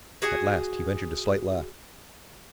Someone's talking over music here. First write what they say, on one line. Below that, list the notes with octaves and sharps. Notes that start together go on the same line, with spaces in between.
At last he ventured a slight laugh.
F#4 G#4 F#5 G#5